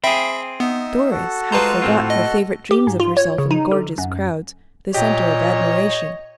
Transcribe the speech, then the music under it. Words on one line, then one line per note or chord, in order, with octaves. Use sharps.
Doris half forgot her favorite dreams of herself in gorgeous crowds, the center of admiration.
C4 G#4 E5 G5 B5
B3 D#4 E5
F#4 A4
G#3 F4 B4 C5 A5 A#5
A2 C4 F4
D#5
G4
G#2
F4
C#5
C#3
D#4
D3
F#2
A#2 G4 C#5 D#5